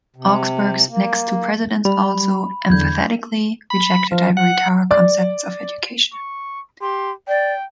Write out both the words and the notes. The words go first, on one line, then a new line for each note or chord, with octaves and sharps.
Augsburg's next two presidents also emphatically rejected ivory tower concepts of education.
C3
A#3
G3 B5
E2 D3 G6 G#6
B5
F3
F#5
D5
C#6
G4 C6
D5 G5